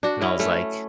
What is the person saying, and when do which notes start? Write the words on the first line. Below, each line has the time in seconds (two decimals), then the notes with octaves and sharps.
and I was like
0.03 D4 F#4
0.21 C#4 E4
0.40 A3 C#4